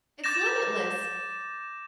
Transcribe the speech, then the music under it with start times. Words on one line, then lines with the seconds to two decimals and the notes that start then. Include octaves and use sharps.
It's limitless.
0.24 D6 G6 A6 A#6 E7